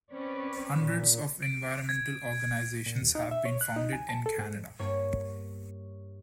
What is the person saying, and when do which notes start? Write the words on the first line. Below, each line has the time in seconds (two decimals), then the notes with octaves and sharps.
Hundreds of environmental organizations have been founded in Canada.
0.11 C4 C#4 B4 C#5 D5
0.78 A#2
1.42 D7
1.89 G#6
2.86 A#2
3.02 D#2
3.15 D#4
3.31 E5
3.45 C#5
3.61 F#6
3.76 D#4
3.93 G#5
4.09 A5
4.26 A4
4.38 G#2
4.79 G2 A#3 C#5